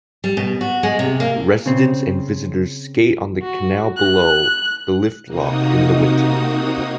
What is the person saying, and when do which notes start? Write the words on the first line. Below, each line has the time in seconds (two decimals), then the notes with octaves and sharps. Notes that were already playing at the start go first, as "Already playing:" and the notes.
Residents and visitors skate on the canal below the lift lock in the winter.
0.24 G3
0.37 B2
0.61 F#4
0.83 G#3
0.99 C3
1.20 A#3
1.66 C#3 C4
3.42 F#4
3.97 F#6
5.25 C3 A#3 D#4 F#4 D#6